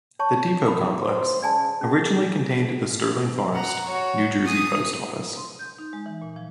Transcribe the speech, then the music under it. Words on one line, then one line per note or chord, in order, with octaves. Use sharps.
The depot complex originally contained the Sterling Forest, New Jersey post office.
C#5 A5 C#6
B5
C5
C#3 D5 G#5 A5
C#4 G#4
F#5 A#5
F#4 C#5
G#4 D#6
C6
G6
D#4
G#3
E3
A#2
F3